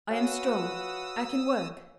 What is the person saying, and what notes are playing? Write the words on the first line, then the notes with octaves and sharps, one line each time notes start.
I am strong. I can work.
F#4 B4 C#5 F5 G#5 D#6 E6